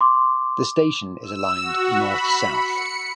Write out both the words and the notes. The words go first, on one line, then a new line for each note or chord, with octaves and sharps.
The station is aligned north-south.
C6 D6
E6
F#4
B5
C#7